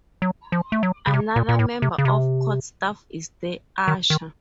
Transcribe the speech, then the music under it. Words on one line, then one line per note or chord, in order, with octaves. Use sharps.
Another member of court staff is the usher.
F#3
F3
A3
F#3
C#3
C3
A#2
A#2
A2
C3
C#3
C3
D#3
D#3